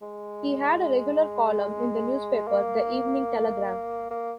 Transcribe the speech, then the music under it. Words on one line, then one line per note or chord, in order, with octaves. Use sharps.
He had a regular column in the newspaper "The Evening Telegram".
G#3
A#3
A#3